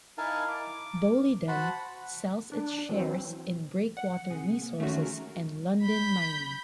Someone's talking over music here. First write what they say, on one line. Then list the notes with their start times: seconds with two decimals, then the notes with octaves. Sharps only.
Boliden sells its shares in Breakwater Resources and Lundin Mining.
0.18 D#4 E4 A#4 F5 G#5 A5
0.48 D6
1.48 F#4 C5 F#5 A5 B5
2.52 D4
2.89 E3 F#3 C4
3.97 F#5
4.30 C3 G#4
4.62 A#3
4.80 D#3 F3 A3 C#4 F#4
5.00 G#4 A#4
5.82 B5 G6